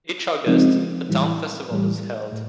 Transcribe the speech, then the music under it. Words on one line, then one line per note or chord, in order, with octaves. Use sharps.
Each August, a town festival is held.
C#3 F3 G#3 C4 D#4
A2 E3 G3
A2 E3 G3
A2